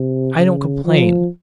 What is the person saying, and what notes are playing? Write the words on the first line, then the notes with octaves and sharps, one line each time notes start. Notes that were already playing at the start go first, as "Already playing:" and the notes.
I don't complain.
Already playing: C3
C#3
F3